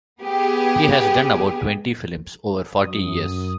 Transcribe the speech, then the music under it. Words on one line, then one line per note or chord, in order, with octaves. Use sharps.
He has done about twenty films over forty years.
B3 G4 G#4
F#2 D#6